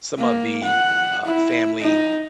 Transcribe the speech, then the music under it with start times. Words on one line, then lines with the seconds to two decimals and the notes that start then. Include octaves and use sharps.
some of the, uh, family
0.19 A#3
0.63 F#5
1.25 E4
1.80 D#4